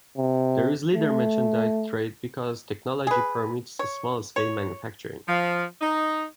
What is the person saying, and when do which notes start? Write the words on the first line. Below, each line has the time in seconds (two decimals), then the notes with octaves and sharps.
There is little merchandise trade because technology permits small-scale manufacturing.
0.18 C3
0.94 A3
3.07 G#4 B4
3.79 C#5
4.36 C#5
5.28 F3
5.81 D#4